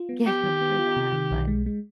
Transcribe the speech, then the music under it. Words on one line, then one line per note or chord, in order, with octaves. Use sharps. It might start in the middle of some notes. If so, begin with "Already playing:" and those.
get over that," but
Already playing: F4
B3
B3 G4
D#3
B3
F4
C3
D#3
B1
G#3
G#3